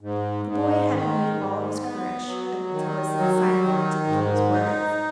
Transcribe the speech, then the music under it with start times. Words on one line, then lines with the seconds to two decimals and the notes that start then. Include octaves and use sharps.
The boy had need of all his courage to listen silently to the king's words.
0.01 G#2
0.45 G#2
0.91 D#3
1.36 G#2
1.82 B3
2.26 F#3
2.71 D#3
3.17 F#3
3.62 D#3
4.07 G#2
4.52 D#4